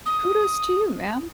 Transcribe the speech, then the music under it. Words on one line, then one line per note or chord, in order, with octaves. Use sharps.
Kudos to you man.
D#6